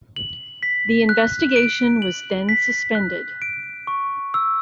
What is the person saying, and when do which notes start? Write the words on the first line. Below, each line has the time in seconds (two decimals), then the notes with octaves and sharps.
The investigation was then suspended.
0.16 F#7
0.63 B6
1.09 F#6
1.56 D7
2.02 F#7
2.49 B6
2.95 F#6
3.42 D7
3.87 C#6
4.34 E6